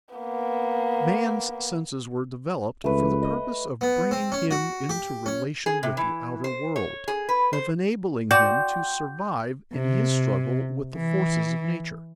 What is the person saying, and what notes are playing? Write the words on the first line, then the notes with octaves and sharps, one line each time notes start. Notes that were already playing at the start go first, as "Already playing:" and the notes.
Man's senses were developed for the purpose of bringing him into relation with the outer world, of enabling him to survive in his struggle with the forces of nature.
A#3 B3
C#2 A3 B4
D#5
B3
C4
C#4
F#4
G4
C#4
G#4
C3
E3
C5
C#5
G#4
B4
C5
F#4 D5 G5 C6 G6
C3
E3